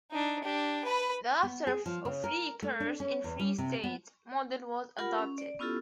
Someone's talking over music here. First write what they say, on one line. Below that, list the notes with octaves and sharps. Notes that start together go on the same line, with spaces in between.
Thereafter, a "free church in free state" model was adopted.
D4 D#4
D4 G4
B4 B5
B3
G#4
F3
C#3
A#4
A3
D4
C#4
E2
G3
C3
B3
F4 G4 A#4 F#5 B5
C#4
D5
B3 C#4 E4 F4 G4 A4